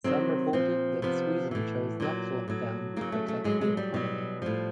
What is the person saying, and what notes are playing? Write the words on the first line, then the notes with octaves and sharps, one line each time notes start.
Some reported that Sweden chose not to lock down to protect the economy.
C3 D#3 F#3 C4
A#2 F3 C4
C3 F3 B3
A2 E3
A#2 F#3
A2 F#3
C#3 F#3 A#3
A3
A3
A2 F#3 G#3
G#3
G3
B2 F#3
A2 F3